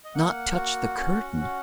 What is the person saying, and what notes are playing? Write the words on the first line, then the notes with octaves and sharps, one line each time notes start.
Not touch the curtain!
D#5
A#3 F#5
F#4
C#4
C#4